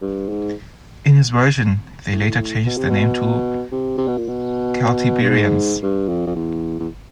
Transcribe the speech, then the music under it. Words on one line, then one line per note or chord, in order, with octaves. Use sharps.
In his version, they later changed their name to 'Celtiberians'.
G2
G#2
A2
B2
C3
B2
C3
C3
B2
A#2
B2
G2
G#2
G2
F2
F2
E2
E2